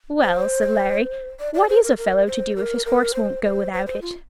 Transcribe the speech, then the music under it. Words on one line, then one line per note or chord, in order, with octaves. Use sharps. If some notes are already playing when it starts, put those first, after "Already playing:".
"Well," said Larry, "what is a fellow to do if his horse won't go without it?"
C5
D5
D5
C5
A#4
A#4
C5
A#4
A#4
C5
C5
C5
C5
F4